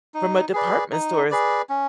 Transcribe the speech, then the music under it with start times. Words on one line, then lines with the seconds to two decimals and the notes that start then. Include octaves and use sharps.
from a department stores,
0.14 D#4
0.53 G#4 B4 D5
0.92 D#4
1.31 G#4 B4 D5
1.69 C#4